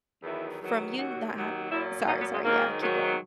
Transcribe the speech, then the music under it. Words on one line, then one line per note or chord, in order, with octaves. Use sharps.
from you not havi Sorry, sorry, yeah, keep going.
E2 D#3 F#3 E4
E2 D#3 F#3
D#2 D#3 F#3 F#4
D#2 D#3 F#3
A#2 F#3 E4
A#2 F#3 D#4
B3
G#3
G#2 D#3 F#3 A#3
G#2 D#3 F#3